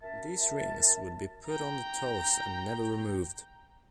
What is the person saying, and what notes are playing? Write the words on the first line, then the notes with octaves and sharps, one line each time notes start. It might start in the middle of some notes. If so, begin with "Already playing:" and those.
These rings would be put on the toes and never removed.
F#2 A#4 E5 A5
G5 A#5